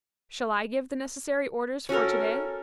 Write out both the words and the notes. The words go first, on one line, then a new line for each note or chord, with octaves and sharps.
Shall I give the necessary orders for to-day?
C#4 F#4 A4 A#4